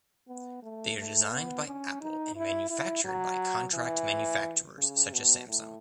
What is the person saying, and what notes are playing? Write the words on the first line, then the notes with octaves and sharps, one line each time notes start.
They are designed by Apple and manufactured by contract manufacturers such as Samsung.
B3
A3
A3
B3
C#4
D#4
E4
E4
F#3
E3
C#3
B2
A2